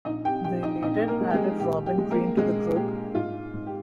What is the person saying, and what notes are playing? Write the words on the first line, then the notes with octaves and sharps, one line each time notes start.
They later added Robin Green to the group.
A#1 D#4 D#5
G4 G5
A#1 G4 G5
D#4 D#5
A#1 D#4 D#5
A#3 A#4
G#3
G4
G#3 G#4
A#1 G4
G4
G#3
A#3 A#4
A#1 G#3 G#4
A#2 G4
G#2 F4
G#2
G4